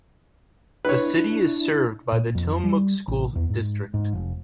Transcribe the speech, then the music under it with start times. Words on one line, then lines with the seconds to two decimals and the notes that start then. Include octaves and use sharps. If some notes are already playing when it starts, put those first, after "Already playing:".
The city is served by the Tillamook School District.
0.85 D4 E4 B4 C#5
2.12 A#2
2.35 F2
2.64 G3
3.08 A1
3.36 E2
3.49 G#2
3.94 G#2
4.13 F1